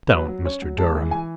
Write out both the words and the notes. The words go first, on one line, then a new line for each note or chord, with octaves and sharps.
"Don't, Mr. Durham!"
F#3 B4
F#3
C#4 C#5
F#3
G#3 A5
E3
E3 G#5